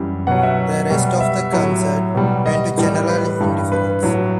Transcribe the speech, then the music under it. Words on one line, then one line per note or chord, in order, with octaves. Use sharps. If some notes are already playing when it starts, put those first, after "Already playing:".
The rest of the concert went to general indifference.
Already playing: F#2 E3 G3
B2 F#3 F#5
E5
B2 G3
E5
A2 F#3
B2 G3
D#5
A2 E3 G3
B4
G2 E3 G3
B4
A2 F#3